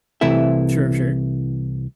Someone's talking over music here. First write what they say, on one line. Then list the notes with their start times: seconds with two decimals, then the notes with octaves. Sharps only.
Sure, sure.
0.21 C2 C3 E3 A3 E4 E5